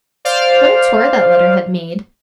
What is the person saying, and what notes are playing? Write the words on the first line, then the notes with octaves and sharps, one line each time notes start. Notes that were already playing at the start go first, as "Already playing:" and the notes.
What a tour that letter had made!
C5 D5 F5